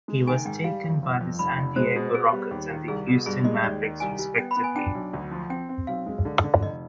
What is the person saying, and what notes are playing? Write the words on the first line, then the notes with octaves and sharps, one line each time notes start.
He was taken by the San Diego Rockets and the Houston Mavericks, respectively.
G#3
D#3 G#5
G#2 G5
G3 F5
F2
G1
F2
F1 B5
F1
G#3 C5
B2
B3 G#4
G3
D#2
D#3
C2 G#4
B2
G2 G#4
G#3 D#5
D#2 D5
D#3
C2 G#5
G3
B3 G5
B5
B3
G#5
D4 G5
B1
D2
F3
C4 G5
C4
B1 F5
G#3
D3
D3
F1 D#5